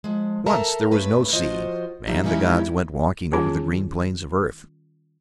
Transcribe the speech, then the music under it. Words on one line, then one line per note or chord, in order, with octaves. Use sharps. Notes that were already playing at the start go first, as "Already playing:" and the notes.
Once there was no sea, and the gods went walking over the green plains of earth.
F3 G#3
A4 A#4 E5 A5 A#5
G2 C3 A3 C#4 B4
F3 F4 F#4 C5 D#5
F3 G3 D#4 E5
E3 G3 G#3 C#4 D#4 E4
D#3 G3 C#4 F4 G#4